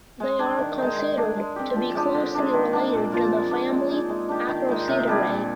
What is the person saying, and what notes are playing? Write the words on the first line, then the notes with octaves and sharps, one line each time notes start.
They are considered to be closely related to the family Acroceridae.
G#3
D4 G#4
D#3
G#3 D#4
G#3
D4 G#4
G#3
C4 G4
F3
G#3 D4 G4
D3
G#3 D4
D#3
A#3 D4
A#2
F3 A#3 F4
G#3
D4 G#4
G#3
D#4 G#4
G#3
D4 G4
D#3
G#3 D#4
C3
G3 D4 G#4
A#2